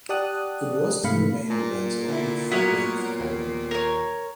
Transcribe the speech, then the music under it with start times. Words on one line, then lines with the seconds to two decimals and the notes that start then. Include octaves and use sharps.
It was to remain the band's only full-length album.
0.09 G4 D5 F#5 A5 D#6 F#6
1.04 G#2 C3 A3 F5 B5 C#7
1.50 A#2 A#3
2.08 D3 E4
2.51 F#3 B3 F#4 A#4 C#5 F#5
3.20 D#2
3.71 A#4 C#5